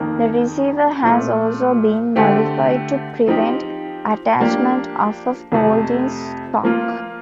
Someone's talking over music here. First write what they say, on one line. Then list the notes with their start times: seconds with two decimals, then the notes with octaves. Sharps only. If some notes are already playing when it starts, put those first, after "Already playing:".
The receiver has also been modified to prevent attachment of a folding stock.
Already playing: F2 D#3 A#3
1.03 A#2 F3 A3
2.15 D3 A3 C4 G4
3.28 F3 C4 D#4 G4
4.40 F3 A#3 D4 G4
5.52 F2 C3 F3 A3
6.63 F3 A#3 F4